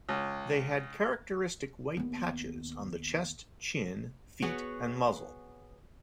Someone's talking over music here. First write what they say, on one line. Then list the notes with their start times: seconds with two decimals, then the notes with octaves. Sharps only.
They had characteristic white patches on the chest, chin, feet, and muzzle.
0.09 C#2
1.97 D#2 B3
4.42 B3 F#4 G#4 C#5